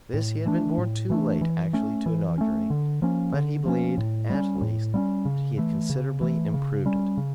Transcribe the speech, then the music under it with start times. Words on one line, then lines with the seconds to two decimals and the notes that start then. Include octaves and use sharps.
This he had been born too late actually to inaugurate, but he believed at least, that he had considerably improved it.
0.14 A2
0.45 E3 A3 D4
0.78 A2
1.10 E3 A3 D4
1.41 E3
1.73 A3 C#4
2.06 E3
2.38 A3 C#4
2.70 D3
3.02 F3 A#3 C#4
3.34 D3
3.66 F3 A#3 C#4
3.98 A2
4.30 G3 A#3 C#4
4.62 A2
4.94 G3 A#3 C#4
5.25 C#3
5.57 E3 A3
5.89 C#3
6.21 E3 A3
6.54 C#3
6.86 G3 C#4
7.17 C#3